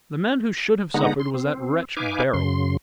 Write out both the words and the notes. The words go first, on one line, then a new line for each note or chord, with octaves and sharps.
"The man who should have suffered was that wretch Beryl."
D3 G#3 B3 D#4 F#5 A#5
C6
C4
D#4 B4 F5 G#5 D6
F#2 C#3 C6